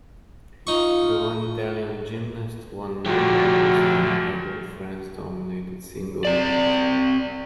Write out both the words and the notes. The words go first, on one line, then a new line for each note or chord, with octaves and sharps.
The one Italian gymnast won no medals in a heavily France-dominated single event.
D#4 F4 C#6
A#2 D3 F3 A3 F#4 G4
C4 D5